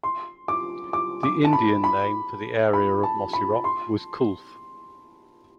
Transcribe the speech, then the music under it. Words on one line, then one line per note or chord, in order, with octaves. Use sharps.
The Indian name for the area of Mossyrock was "Coulph".
C6
D6
D6
D6
A5
B5
B5
B5
A5
B5
C6